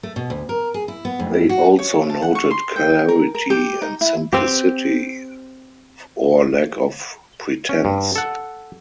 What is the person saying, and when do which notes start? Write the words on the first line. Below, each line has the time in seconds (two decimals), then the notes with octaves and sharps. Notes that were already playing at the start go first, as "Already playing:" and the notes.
They also noted clarity and simplicity or lack of pretense.
0.03 A3
0.16 B2
0.30 D2
0.49 A#4
0.74 G#4
0.88 E4
1.05 B3
1.20 F2
1.49 F#4
1.79 C#5
2.09 A5
2.22 F#5
2.35 C#6
2.51 C6
2.76 G5
3.09 A#4
3.35 A#4
3.50 G4
3.82 D#4
4.01 E4
4.33 C4 G4
7.69 C#4
7.85 G2
8.16 A4 F#5